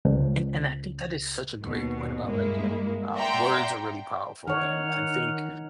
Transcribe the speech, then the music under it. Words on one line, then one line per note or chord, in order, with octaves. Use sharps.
And and I think that is such a great point about like, you know, uh, words are really powerful, and I think
C#2
D#2 B2
G2 G#3 A#3 E4
D5 E5 F#5 G5 A#5 C6
D#3 D#4 C#5 F#5 F6